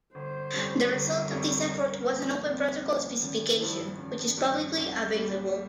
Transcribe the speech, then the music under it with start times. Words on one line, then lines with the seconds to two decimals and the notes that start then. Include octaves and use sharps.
The result of this effort was an open protocol specification, which is publicly available.
0.15 G1 C5
0.53 F2 C3 G3 C#4
0.91 G1 A#4
1.30 F2 C3 G3 C#4
1.69 C2
2.07 A#2 F3
2.46 C2 C4
2.84 A#2 F3 C#4
3.22 G#1 C#4
3.60 G2 F3 E4
3.99 G#1 C#4
4.38 G2 F3
4.77 C2
5.15 A#2 G3